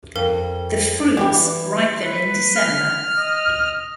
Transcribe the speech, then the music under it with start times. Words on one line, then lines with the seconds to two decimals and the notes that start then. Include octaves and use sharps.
The fruits ripen in December.
0.16 F2 A#4
1.17 D3 E3 D4 G4
2.02 B4
2.56 F6
3.17 D#5